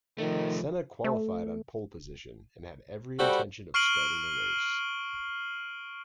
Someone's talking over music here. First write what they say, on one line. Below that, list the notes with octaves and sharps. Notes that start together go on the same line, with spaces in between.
Senna qualified on pole position, and had every intention of starting the race.
D#3 F3 A3
A3
G3 F#4 G4 A4 C5 B5
C#6 F6 C7 D7 D#7 F#7